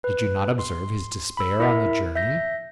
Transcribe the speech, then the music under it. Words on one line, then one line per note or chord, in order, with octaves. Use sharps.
Did you not observe his despair on the journey?
B4
C6
B5 E6
E4 A#4 E5
E5 G6 A#6